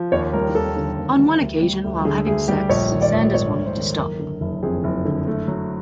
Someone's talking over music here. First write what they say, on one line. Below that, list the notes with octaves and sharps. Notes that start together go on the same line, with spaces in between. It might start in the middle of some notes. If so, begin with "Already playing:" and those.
On one occasion, while having sex, Sanders wanted to stop.
Already playing: F3
D#2 C#5
G3 A#4
D#2 A4
D3
D#2
G3
D2
G3
D2
D3 G#4
D2 G#4
G3 G4
A#1 C#5
D#3
D5
A#1
G#2 C#5
A#1
C5
D#3
F#1 A#4
D3
F#1
F2 G#4
F#1
D3
A3
F#3